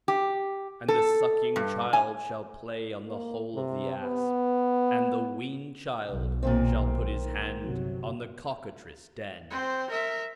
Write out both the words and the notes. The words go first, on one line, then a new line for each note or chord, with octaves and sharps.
And the sucking child shall play on the hole of the asp, and the weaned child shall put his hand on the cockatrice' den.
G4
A4
G2
G#5
A#3
C3
B3
B1
A#2 D#3 C4
G1 C3 F#3
C4 C5
A#4 E5